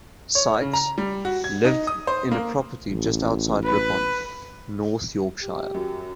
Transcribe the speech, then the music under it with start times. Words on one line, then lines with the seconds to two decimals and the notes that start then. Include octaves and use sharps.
Sykes lived in a property just outside Ripon, North Yorkshire.
0.35 C#5
0.62 C#3
0.73 A#5
0.98 G3
1.25 F#4
1.44 G#6
1.65 D#4
1.87 D#6
2.07 C5
2.32 A#3
2.88 A1
3.65 B4
5.42 G4
5.74 F#2